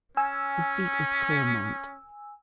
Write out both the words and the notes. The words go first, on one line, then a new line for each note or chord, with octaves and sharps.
The seat is Clermont.
C#4 G#5 E6